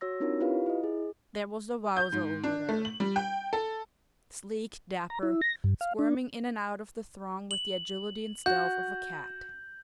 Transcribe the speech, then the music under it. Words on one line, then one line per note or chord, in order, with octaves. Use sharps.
There was the Wowzer over there--sleek, dapper, squirming in and out of the throng with the agility and stealth of a cat.
F#4 C#5 E6 A#6
C4 D4 D#4 F4 A#4 C#5
E4 F4 G4 B4 F5
E4 D#5
G#4
G6
G#2
D4
A3
F#7
G3
G5
A4
A#5
E4
A#6
G2
F5
D4
F#7
F#4 G6